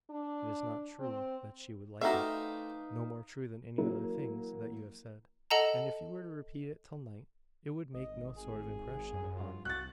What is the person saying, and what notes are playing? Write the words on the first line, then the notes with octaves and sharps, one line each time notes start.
It is not true that she would like it--no more true than many other things that you have said: and if you were to repeat it till night, it would make no sort of impression upon me.
D4
C4
A3 D#4 F#4 G4 B4 C5 E5 F5
E3 F#3 A#3
A4 D#5 F#5 A5 A#5
G#1 D#5
G#4
F#2
F4
C2 F#4 F#6 A6